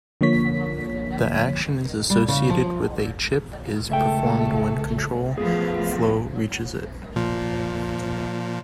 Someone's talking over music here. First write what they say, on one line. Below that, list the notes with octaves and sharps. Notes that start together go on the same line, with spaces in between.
The action associated with a chip is performed when control flow reaches it.
D3 F3 A#3 C#5 B6
G3
C#3
F3
C#2 A3 A4 E5 G5
F3 A3 B3 F4 G#4 F5
A#2 F3